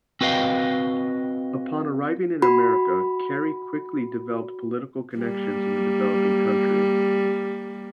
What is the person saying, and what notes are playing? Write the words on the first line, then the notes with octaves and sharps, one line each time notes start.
Upon arriving in America, Carey quickly developed political connections in the developing country.
C4 F#4 B4 D#5 F5 G5
F#4 B5
G3 A#3